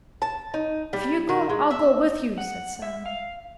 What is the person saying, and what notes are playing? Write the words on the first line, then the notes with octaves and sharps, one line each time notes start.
"If you go I'll go with you," said Sam.
A5
D#4
G3
D#3
G#3
E5
F#5
E5
F5